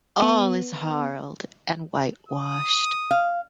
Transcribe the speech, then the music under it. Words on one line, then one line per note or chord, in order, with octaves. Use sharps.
All is harled and whitewashed.
B3
D#6
F5